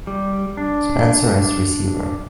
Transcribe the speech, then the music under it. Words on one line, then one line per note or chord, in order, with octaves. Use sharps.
Spencer as receiver.
G3
D4